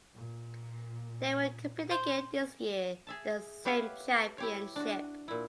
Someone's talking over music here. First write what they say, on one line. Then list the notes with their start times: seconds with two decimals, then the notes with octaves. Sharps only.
They will compete again this year in that same championship.
0.14 A#2
1.91 C5
3.07 G#4 E5 A5
3.65 B3 G4 B4 C#5 E5 F5
4.38 E4 G4 C#5
4.76 D4 F#4
5.28 A#2 E4